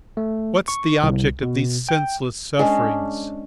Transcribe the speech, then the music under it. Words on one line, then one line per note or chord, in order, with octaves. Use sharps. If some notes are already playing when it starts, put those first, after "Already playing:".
What's the object of these senseless sufferings?
A3
C#6
C2
B2
G5
G#3 C#4 D4